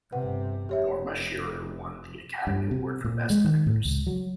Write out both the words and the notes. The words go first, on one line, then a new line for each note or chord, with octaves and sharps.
Norma Shearer won the Academy Award for Best Actress.
G1 C3 B4 F#5
F1 G4 C#5 E5
G2
C3
A#2
G#3
D#3
A2
C#2
F#3